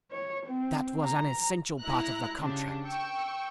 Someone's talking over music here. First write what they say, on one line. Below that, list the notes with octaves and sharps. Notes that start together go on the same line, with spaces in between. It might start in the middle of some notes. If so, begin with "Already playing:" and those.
That was an essential part of the contract.
C#5
C4
A#5
G#3 E4 A#5 F#6
C#3 D4 G4
G5 C#6 E6